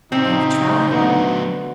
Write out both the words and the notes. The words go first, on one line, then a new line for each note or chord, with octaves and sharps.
I have tried.
C#3 C4 D#4 G4
D3 F#3 A3 B3